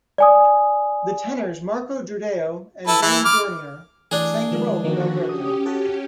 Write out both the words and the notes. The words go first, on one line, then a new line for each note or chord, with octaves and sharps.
The tenors Marco Jordao and James Dornier sang the role of Alberto.
D5 G#5 D#6
E4 A4 B4
E3 E4
D6 F6
E3 A3 D4 G#4
D#3 F3 G#3
D3 D#3 F3 A#3 F#4
C#4 G4 D#6
F#4 A4